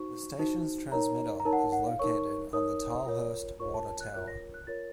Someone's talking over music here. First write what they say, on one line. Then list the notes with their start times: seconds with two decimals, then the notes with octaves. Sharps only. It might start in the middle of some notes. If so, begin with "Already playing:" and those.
The station's transmitter is located on the Tilehurst Water Tower.
Already playing: D#4 F#4 C5 C#6
0.39 D#4 F#4 C5
0.92 D#4 A#4 C#5 A#5
1.40 A#5
1.45 D#4 A#4 C#5 A5
1.53 F#5
1.59 A5
1.72 F#5
1.87 F5
1.99 D#4 A#4 C#5 C#6
2.53 D#4 A#4 C#5 D#6
3.06 F4 A#4 C#5
3.60 F4 A#4 C#5 C#6
3.74 A5
3.87 A5
4.01 F#6
4.13 F4 A#4 C#5 F#6
4.28 A#6
4.54 F#6
4.67 F4 A#4 C#5 A6